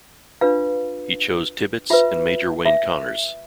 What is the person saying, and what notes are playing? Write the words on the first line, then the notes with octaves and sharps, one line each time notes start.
He chose Tibbets and Major Wayne Connors.
D4 F4 B4 F5
F4 B4 E5
E5